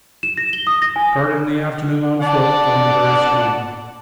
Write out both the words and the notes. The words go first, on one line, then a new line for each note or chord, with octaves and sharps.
Started in the afternoon on foot, going very strong.
E7
A#6
G7
D#6
A#6
G#5
D5 F#5 A5